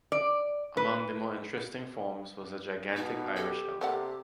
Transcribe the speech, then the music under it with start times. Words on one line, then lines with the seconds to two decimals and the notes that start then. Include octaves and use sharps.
Among the more interesting forms was the gigantic Irish elk.
0.12 D5
0.77 B4
2.96 B2 D#4
3.36 G4 A4
3.81 C3 A#3 G4 A4 D5 F#5